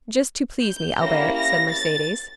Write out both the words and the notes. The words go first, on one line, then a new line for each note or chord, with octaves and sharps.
"Just to please me, Albert," said Mercedes.
G6
A#3 C#4 E4 G4 A#6
A#6
A6